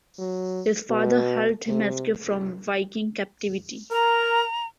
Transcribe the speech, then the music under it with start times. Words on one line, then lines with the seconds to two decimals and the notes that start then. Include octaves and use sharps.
His father helped him escape from the Viking captivity.
0.18 F#3
0.90 B2
1.68 C3
3.92 A#4 A#5